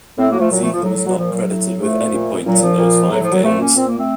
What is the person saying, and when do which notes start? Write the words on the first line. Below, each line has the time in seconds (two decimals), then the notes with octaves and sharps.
Ziegler was not credited with any points in those five games.
0.17 A2 A3 C4
0.29 F#3 A#3
0.39 F3 A3
0.50 A#2 F#3
0.61 F3 A3
0.72 F3
0.83 A2 F#3
0.94 F#3
1.05 F#3
1.16 A#2 F3
1.32 F#3
1.48 A2
1.80 A2 F3 A3
2.13 A#2
2.46 A#2 F#3
2.61 F3
2.78 A#2
3.10 A2 F#3
3.21 F3
3.32 F#3
3.43 A#2 F3 A3
3.59 A#3 C#4
3.75 A#2 C4
3.86 A#3
3.96 A3 C4